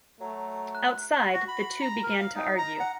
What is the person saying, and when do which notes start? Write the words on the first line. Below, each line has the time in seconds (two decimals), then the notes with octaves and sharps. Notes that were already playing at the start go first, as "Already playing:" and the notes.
Outside, the two began to argue.
0.21 F#3 A3 A#5
0.75 F#6
1.33 F#4
1.48 B5
1.82 A#5
2.03 A#4
2.19 F5
2.35 D#4
2.58 A#5
2.80 F#5